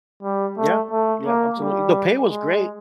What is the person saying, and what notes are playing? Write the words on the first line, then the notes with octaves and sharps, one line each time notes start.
Yeah, yeah, absolutely, the pay was great,
G3
A3
A3
A#3
G3
G#3